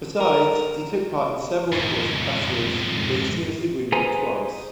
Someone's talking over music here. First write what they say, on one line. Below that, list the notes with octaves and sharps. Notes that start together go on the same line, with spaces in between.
Besides, he took part in several important battles, being seriously wounded twice.
A#4
F2 G#2
G#4 B4 C5 G#5 A#5